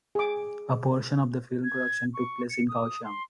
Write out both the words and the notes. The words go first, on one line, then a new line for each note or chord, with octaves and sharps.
A portion of the film production took place in Kaohsiung.
G#4 D6
G#6
C#6
C#7
D#6
C6